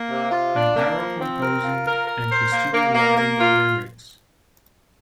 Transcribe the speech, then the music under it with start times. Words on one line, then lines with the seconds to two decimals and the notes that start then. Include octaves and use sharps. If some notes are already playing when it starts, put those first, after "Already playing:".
Amparo composing and Cristina writing the lyrics.
Already playing: A#3
0.10 C3
0.31 F4
0.54 D4
0.76 A#3
0.97 F3
1.19 C4
1.41 A#4
1.64 F4
1.86 A#4
2.07 A#4
2.30 C5
2.51 A#3
2.73 A#3
2.95 A#3
3.18 A#3
3.39 F4